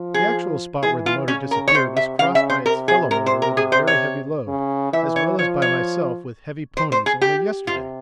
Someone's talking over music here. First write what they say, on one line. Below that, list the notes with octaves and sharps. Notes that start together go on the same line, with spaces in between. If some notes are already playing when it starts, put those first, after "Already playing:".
The actual spot where the motor disappeared was crossed by its fellow motor with a very heavy load as well as by myself with heavy ponies only yesterday.
Already playing: F3
G#4
E3 G#4
F4
C#3 C#4
A#4
C#5
C3 C5
E5
C#3 F5
E5
C5
C3 A#4
G#4
C3 A#4
C5
A#4
G#4
C5
C#5
C#3
E3 E5
C#5
F3 C#5
C#5
C5
C5
G#4
G4
C3 F4